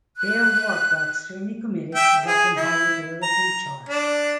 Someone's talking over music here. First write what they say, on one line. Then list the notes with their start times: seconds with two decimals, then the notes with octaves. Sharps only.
Their work, while extremely comedic, is often highly politically charged.
0.17 F#6
1.95 E5 G5
2.26 G#4
2.57 E4
3.23 A#5
3.89 D4